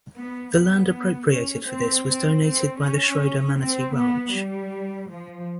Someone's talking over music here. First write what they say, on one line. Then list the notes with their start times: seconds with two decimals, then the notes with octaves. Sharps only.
The land appropriated for this was donated by the Schroeder-Manatee Ranch.
0.15 B3
0.53 B3
1.30 C#4
1.67 C4
2.05 C4
2.43 C4
2.81 C#4
3.57 C4
3.95 B3
4.33 G3
5.09 F3